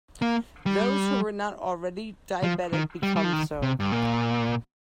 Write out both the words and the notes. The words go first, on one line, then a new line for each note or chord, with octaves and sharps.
Those who were not already diabetic become so.
A#3
G3
F3
D#3
G3
G3
F3
D#3
C3
G2
A#2